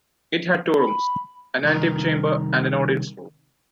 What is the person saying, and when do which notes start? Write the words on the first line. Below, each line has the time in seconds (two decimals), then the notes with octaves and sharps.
It had two rooms: an antechamber and an audience room.
0.76 B5
1.64 C2 D#3 A#4